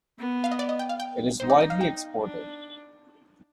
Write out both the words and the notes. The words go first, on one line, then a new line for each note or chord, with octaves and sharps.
It is widely exported.
B3
F5
D#5
D5
D#5
G5
F5
G5
D#4 C5
D5
D#5
F5
G5
D4